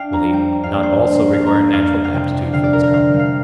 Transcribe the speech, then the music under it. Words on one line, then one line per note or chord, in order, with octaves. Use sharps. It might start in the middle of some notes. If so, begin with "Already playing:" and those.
Will he not also require natural aptitude for his calling?
Already playing: D4 F5 G5
F2 A#5
G3 G5
D4
F5
A#3 D5
C5
D4
A#3
D4 F5
A#5
A#3
F2 F5
G3
F5
C3 G5
D4
D3 F5
D5
D4 A#4
A#4
C4 F5
G3
F5